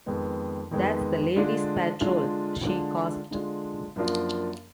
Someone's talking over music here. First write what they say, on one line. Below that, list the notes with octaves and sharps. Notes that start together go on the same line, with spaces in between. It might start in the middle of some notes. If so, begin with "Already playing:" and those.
"That's the laddies' patrol," she gasped.
F2 D#3 G#3 B3
F2 D#3 G#3 B3
D3 G#3 D4 F4
D3 G#3 D4 F4
D3 G#3 D4 F4
D3 G#3 D4 F4
F#2 F3 A#3 D4 F4